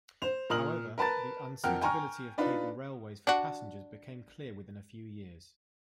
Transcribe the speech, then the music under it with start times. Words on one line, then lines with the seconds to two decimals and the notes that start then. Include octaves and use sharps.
However, the unsuitability of cable railways for passengers became clear within a few years.
0.22 C5 F7
0.50 A#2 A#4 A#5 D#6 F6 F#7
0.98 A#4 B4 A5 A#5 A6
1.64 F2 A#4 F#5 G5 F6
1.81 G5 G#5 A#5 C#6 F6
2.38 D4 D#4 F4 B4 D5
3.27 D4 F#4